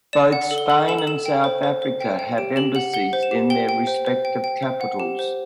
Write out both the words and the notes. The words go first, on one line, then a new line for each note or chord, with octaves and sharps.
Both Spain and South Africa have embassies in their respective capitals.
D5 E7
F#5
A4
G7
A4 F#7
A4 E7
F#7
A4 E7
G5
C5
C5
C5
G5
G5
G4 D7
G4 F#7
F#5 F#7
F#5 G7
C5
E7
G4
G5 G7
G5
C5
C5
G5
G5
C5
F#5
G4
C5